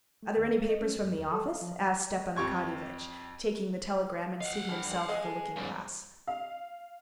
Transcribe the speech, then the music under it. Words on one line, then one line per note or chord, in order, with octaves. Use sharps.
"Are there any papers from the office?" asked Stepan Arkadyevitch, taking the telegram and seating himself at the looking-glass.
A3
D#2
A#4
D#5
C#4
F#2
E2
A4
F5
F3
F2 G4 C#6 G#6
D#5 F5 F#5
D3 F3 G3
B3 G#4 C5
G#3 B3 G#4 D#5 E5
A4
C2 G2 F3 F#3 E4 F4 D5
F5